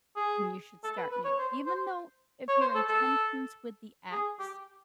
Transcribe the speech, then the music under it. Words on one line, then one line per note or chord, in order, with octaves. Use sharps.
and you should start new. Even though, if your intentions with the ex
G#4
A4
B4
B4
C#5
C5
C5
C#5
C5
A4
A4
G#4
G4